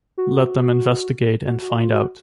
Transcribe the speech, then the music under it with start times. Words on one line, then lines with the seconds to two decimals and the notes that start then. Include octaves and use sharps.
Let them investigate and find out.
0.18 F#4
1.46 F#4
1.62 F#4
1.78 F4
1.93 F#4